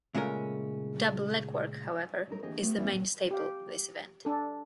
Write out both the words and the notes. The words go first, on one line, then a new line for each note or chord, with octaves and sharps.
Double leg work however, is the main staple of this event.
A#2 C#3 G#3 A3 C#4 A#4
F#3 G3 D#4 A#4
D#2 D3 E3 G4 G#4 D#5
A3 B3 G4
D3 E3 G#3 A#3 C4 E4
D#2 A#2 F#3
G4 F5
D4 A4